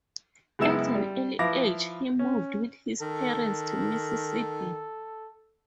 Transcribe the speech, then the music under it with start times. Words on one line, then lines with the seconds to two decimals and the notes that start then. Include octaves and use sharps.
At an early age he moved with his parents to Mississippi.
0.59 F#1 G#3 B3 E4 E6 E7
0.95 G3
1.39 F3 E4 B4 F5 D6 A#6
2.19 C#4
3.01 D#3 A4